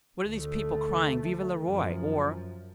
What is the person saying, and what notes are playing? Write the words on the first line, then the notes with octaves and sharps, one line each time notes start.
What are these people crying 'Vive le Roi!' for?
D2 A3
F#2 F3